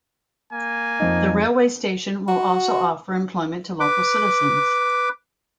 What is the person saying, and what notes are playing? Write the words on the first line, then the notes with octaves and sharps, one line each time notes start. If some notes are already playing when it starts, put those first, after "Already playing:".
The railway station will also offer employment to local citizens.
A#3 G#5
F2 D#4
F#4
B4 D6